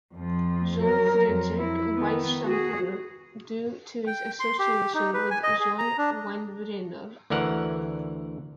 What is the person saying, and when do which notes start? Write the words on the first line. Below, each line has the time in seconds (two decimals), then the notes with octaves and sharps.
John Frederick Weishampel due to his association with John Winebrenner.
0.15 F2 F3
0.83 F#3 A#4
1.28 F2
1.58 E4
1.95 D#3 B3
2.43 F#4 G#4
4.07 G5
4.40 C6
4.59 G4
4.94 D#4
5.14 B4
5.30 G#5
5.43 D#5
5.60 G#4
5.78 A#5
5.98 D4
7.30 D2 D3 E3 A#4 F#5